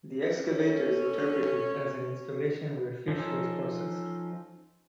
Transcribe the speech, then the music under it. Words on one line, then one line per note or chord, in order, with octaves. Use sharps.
The excavators interpret it as an installation where fish was processed.
C#4 A4
F3 C#4 D#4 F4 A4